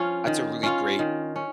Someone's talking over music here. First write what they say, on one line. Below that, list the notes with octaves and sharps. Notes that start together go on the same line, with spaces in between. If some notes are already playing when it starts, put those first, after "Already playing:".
That's a really great,
Already playing: F3 C#4 F4
D#3
C#4 F4
D#3
C#4